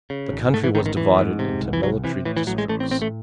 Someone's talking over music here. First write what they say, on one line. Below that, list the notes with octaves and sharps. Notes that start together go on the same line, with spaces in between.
The country was divided into military districts.
C#3
G#1
G#2 A3
E3
A1 D#3
D#3
A1 E3
G#2
C3
C2
E3
C2 F#3
C3 E3
A2 E3
E3
A1 F#3
G#3
A1 A3
C4
A2 C4
A3